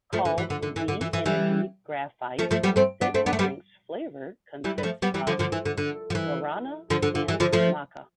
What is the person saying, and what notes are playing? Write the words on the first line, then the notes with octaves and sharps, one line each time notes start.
Called V Energy Graphite, this drink's flavour consists of guarana and maca.
F3 A3
D3
E3
D3
D3
E3
D3
E3
E3
E3 G3
F3 A3
F3 A3
G3 B3
A3 C4
B3 D4
A3 C4
B3 D4
A3
G3 B3
E3 G3
B3
F3 A3
G3 B3
E3 G3
D3 F3
D3 F3
E3
D3
D3
F3
E3
D3 F3
D3
D3
E3
D3 F3
F3 A3